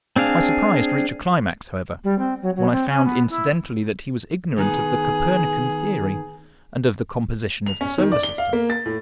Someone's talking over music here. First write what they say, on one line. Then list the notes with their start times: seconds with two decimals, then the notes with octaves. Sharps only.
My surprise reached a climax, however, when I found incidentally that he was ignorant of the Copernican Theory and of the composition of the Solar System.
0.16 C4 D4 G#4 F5
2.03 G3
2.18 C4
2.41 F#3
2.55 F#3
2.71 C4
2.88 C#4
3.04 B3
3.29 E4
4.58 D#3 B3 G#4
7.66 F7
7.81 C#4
7.98 D#3
8.12 D5
8.23 G7
8.38 F5
8.53 A#3
8.70 A6
8.86 A2